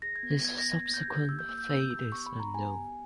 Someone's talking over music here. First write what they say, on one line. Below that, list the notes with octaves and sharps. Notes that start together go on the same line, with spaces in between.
His subsequent fate is unknown.
G#4 A#6
G#6
B3
G#6
B3 G#6
A#6
B3
G#6
A#3 A#6
G6
G#6
G4
G6
A#3 E6
G6
A#3 E6
G6
B3 E6
G6
G4 E6
B3 C#6
B5
B3
A#5
G4 G#5
B3